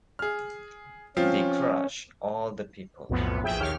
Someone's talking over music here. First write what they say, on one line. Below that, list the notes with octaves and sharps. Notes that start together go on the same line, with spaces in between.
They crushed all the people.
G#4 F6
F3 C4 C#4 F4
B1 F2 A2 B3
A#1 G#4 E5 G5
D#2 G4 C#5 F6